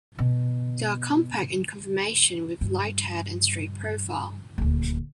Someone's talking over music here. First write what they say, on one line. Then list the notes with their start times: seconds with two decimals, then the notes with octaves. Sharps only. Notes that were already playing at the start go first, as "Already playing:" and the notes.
They are compact in conformation with a light head and straight profile.
0.19 B2
2.61 G2
4.58 D#1 D2